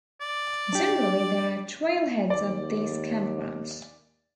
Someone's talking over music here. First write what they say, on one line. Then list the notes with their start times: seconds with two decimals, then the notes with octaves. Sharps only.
Generally, there are trailheads at these campgrounds.
0.21 D5
0.73 D4 G4
2.30 D#2 D5